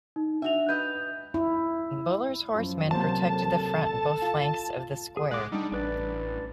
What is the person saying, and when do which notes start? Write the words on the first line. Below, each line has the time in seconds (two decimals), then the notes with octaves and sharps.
Buller's horsemen protected the front and both flanks of the square.
0.16 D#4
0.42 D4 F#4 E5 F7
0.69 B4 D#5 G6
1.34 E4
2.55 F#2 F3
2.91 C3 F#3 A#3 C5 A5
3.23 A4
4.22 F4 F5
5.17 G#4
5.31 G#3 F#5 D6
5.52 G3 D4 D#4
5.72 A1 D4 B4 D5